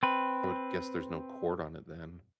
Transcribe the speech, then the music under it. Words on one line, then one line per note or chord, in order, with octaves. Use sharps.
I would guess there's no cord on it then,
C4 B4